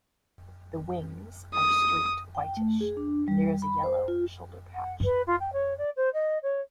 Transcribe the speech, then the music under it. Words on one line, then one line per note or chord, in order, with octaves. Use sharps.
The wings are streaked whitish, and there is a yellow shoulder patch.
D#6
G5
A3
G#4
D4
G3
B5
C5
F4
F#5
B4
F4
G5
C#5
D5
C5
D#5
C#5